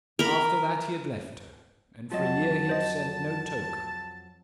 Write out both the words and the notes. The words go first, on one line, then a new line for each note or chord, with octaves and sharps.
After that he had left her, and for a year had sent no token.
A#4 B5
F2 F#3 F4 D#5 F#5 A5
C5 D#5